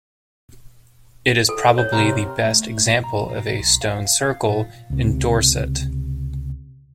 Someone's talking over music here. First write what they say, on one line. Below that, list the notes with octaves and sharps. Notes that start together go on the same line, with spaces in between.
It is probably the best example of a stone circle in Dorset.
A4
C#5
C3 C4 F#4 A#4
A3
B2
A#5
B2
B1
F5
F5
A#2
C#2 C3